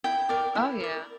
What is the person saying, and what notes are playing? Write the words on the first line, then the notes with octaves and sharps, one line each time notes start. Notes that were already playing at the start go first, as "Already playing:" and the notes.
Oh, yeah.
E4 G5
A#4 D5
E4
A#4 D5